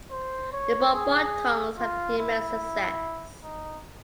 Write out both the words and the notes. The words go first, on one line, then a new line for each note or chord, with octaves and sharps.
The bonbon tongs had an immense success.
C5
C#5
G#4
F4
E4
D#4